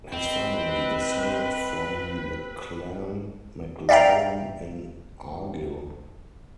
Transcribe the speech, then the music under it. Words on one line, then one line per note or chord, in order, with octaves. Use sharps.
His family descended from the Clan MacLaren in Argyll.
C4 B4 D#5
D5 E5 F5 G5 A#5